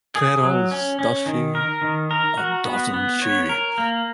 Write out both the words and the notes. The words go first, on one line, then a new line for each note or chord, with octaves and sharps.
Clairol's Does she...or doesn't she?
G#4
F#3
C#4
C#4
D#3
A#4
D#3
A#4
F#4
B3
B3
C#5
A#4
A#3